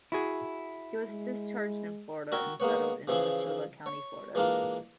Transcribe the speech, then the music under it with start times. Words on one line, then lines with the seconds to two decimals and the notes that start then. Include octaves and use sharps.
He was discharged in Florida and settled in Alachua County, Florida.
0.12 E4 F#4 G#4
1.10 G#3
2.32 F#4 A#4 E5 G5
2.60 G#3 A#3 B3 C#5
3.08 C#3 E3 F3 E4 G#4
3.86 C#5
4.35 E3 G#3 A#3 D4 F4